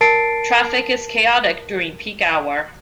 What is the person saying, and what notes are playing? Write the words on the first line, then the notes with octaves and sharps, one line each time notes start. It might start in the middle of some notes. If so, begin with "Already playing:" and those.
Traffic is chaotic during peak hour.
A#4 A5 A6 C7 D7